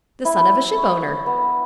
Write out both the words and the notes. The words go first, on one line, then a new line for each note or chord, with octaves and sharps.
"The son of a shipowner."
E4
C#6
B3